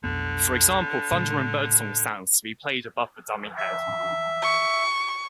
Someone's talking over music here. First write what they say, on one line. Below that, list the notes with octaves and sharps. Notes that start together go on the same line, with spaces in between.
For example thunder and birdsong sounds to be played above the dummy head.
B1 F2 D3 B3
A2 C#3 G#3
E5
C#6